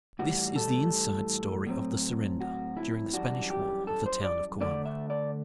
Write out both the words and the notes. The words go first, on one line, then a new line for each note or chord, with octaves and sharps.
This is the inside story of the surrender, during the Spanish War, of the town of Coamo.
A2 E3 G3 F#4
A4
A2 F#3 C4
F#4
E4
F#2 E3 G3 D4 F#4
G4
A4
C5
D5
D3 A3 D4 D5
E5
D5